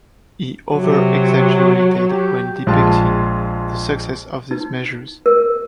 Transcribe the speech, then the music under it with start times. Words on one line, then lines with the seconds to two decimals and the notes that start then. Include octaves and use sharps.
He overexaggerated when depicting the success of these measures.
0.75 C3 F#3
2.11 G4
2.66 A#1 G#3 F4 A5
4.51 D#4
5.26 A#4